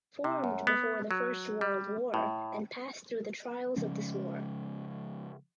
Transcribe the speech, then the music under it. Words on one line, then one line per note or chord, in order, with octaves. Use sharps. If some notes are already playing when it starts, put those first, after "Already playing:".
Formed before the First World War and passed through the trials of this war.
C3
F#2
B3
F#3
G3
A2
C#3 F3 G#3 C#4